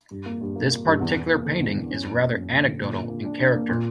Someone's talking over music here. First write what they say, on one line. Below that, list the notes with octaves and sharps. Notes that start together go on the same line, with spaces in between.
This particular painting is rather anecdotal in character.
G2
A#3
G2
A#3
A#3
G2
E2
E2
A#3
D3
E2
E2
C#4
F#2
A#3
F#2
A#3
D3
A#2
A#2
A#3
D4
D4
A#3
A#2